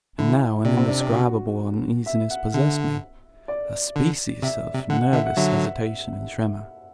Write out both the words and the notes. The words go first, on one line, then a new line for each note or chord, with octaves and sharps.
And now an indescribable uneasiness possessed me--a species of nervous hesitation and tremor.
D3 E4
C3 D4
C4
D4
D4
F#4
E5
F#5
D3 E5
D5
D3
C3 E5
C3
D3 F#5
F#5
D3 E5
F#5
D3 F#3 E5